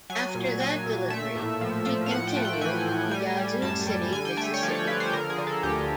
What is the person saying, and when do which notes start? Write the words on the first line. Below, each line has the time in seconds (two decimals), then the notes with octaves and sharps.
After that delivery, she continued to Yazoo City, Mississippi.
0.10 F#3 G#5
0.35 A#2
0.60 F#3 G#5
0.86 A#2
1.10 A3 E5
1.36 A2
1.61 F3
1.86 F3
2.06 F5
2.11 A2 F#5
2.27 G5
2.37 A3
2.45 G5
2.61 E3 G#5
2.86 A2
3.11 G3 G#5
3.37 G3
3.62 F#2 A5
3.87 G3
4.12 D3 G#5
4.25 G5
4.37 A3 G#5
4.54 C#5
4.63 F3 D5
4.75 C#5
4.87 F3 B4
5.00 C5
5.13 D3 A#4
5.30 G#4
5.38 D3
5.47 A4
5.63 D2 G4